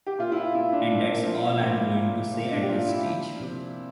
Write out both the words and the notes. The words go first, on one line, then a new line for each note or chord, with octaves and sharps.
And that's all I'm going to say at this stage.
G4
A#2 F4
E4
F4
A#2 E4
D4
A#2 D4
C4
A#3
F3 C4
A#3
A#2 C4
A#2
A#2 A#3
D4
G4
A#2 F4
E4
F3
C3